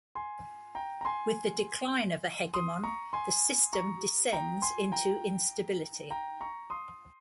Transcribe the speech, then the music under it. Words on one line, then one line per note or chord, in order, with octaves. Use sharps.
With the decline of a hegemon, the system descends into instability.
G#5 C6
G5 A#5
A#5
G#5 C6
C6 D#6
A#5 C#6
G#5 C6
A#5 C#6
G5 A#5
G#5 C6
G5 A#5
G5 A#5
A#5 C#6
C6 D#6